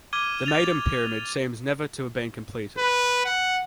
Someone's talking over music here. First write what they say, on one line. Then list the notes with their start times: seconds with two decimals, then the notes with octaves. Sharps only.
The Meidum Pyramid seems never to have been completed.
0.13 D6 F6 G#6 D#7 G7
0.46 A6 F7
2.78 B4
3.25 F#5